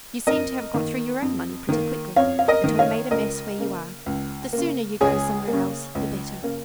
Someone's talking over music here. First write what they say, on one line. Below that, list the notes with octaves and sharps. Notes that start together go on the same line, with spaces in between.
You seem to have got through your own money pretty quickly, and to have made a mess where you are; the sooner you go somewhere else the better.
F2 A#4 D#5
D#3 A#3
F2
D#3 A#3
F2 C#5 F5
F5
A#4 D#5
D#3 A#3
C#5 F5
C#2 A#4 D#5
C#3 A#3
C#2
C#3 A#3
C#2 G#4 C#5
A#3
C#3
C#2
C#3 A#3